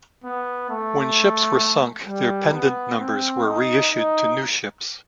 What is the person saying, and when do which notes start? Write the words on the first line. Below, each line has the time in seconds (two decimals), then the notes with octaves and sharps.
When ships were sunk, their pendant numbers were reissued to new ships.
0.24 B3
0.69 A3
2.07 G3
2.53 B3
2.98 C4
3.43 D#4
3.89 D#4